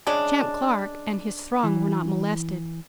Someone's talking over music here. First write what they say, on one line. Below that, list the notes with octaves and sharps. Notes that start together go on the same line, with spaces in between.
Champ Clark and his throng were not molested.
C#3 G#3 D4
E3